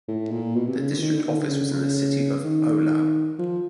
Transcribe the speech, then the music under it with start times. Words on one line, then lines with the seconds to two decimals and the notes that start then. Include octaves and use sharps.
The district office was in the city of Ohlau.
0.08 A2
0.31 A#2
0.55 B2
0.67 C3
0.79 C#3
0.91 D3
0.98 E3
1.02 D#3
1.14 D3
1.26 D#3
1.38 D3
1.50 C#3
1.74 C#3
2.44 D#3
3.39 F3